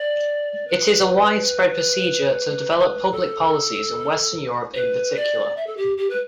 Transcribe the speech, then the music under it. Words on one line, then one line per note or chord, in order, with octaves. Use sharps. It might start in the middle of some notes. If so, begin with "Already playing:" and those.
It is a widespread procedure to develop public policies in Western Europe in particular.
Already playing: D5
B4
A4
B4
D5
E5
A4
G4
G4
B4